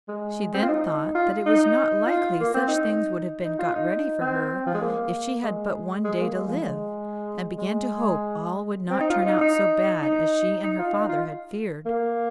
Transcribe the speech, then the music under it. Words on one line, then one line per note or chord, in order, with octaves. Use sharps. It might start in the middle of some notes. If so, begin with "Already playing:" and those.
She then thought that it was not likely such things would have been got ready for her, if she had but one day to live; and began to hope all would not turn out so bad as she and her father had feared.
G#3
C4
F4
D#4
F4
D#4
F4
A#3
C4
D#4
D#4
F4
D#4
C4
F3
G#3
A#3
G#3
G#3
A#3
G#3
F3
G#3
G#3
C4
D#4
F4
D#4
D#4
D#4
D#4
F4
D#4
F4
A#3